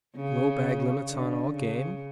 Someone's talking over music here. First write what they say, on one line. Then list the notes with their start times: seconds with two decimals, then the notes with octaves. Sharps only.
Low bag limits on all game.
0.16 C#3
1.07 D3
1.53 C#3